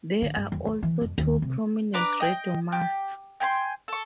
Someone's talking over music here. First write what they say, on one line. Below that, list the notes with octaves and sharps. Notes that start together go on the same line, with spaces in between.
There are also two prominent radio masts.
D3
G2
E2
E2
E3
F2
D#2
C3
D4 B4 A#5 D6
D#5 G5
G4
G5 G#5 B5 C6
A4 C#6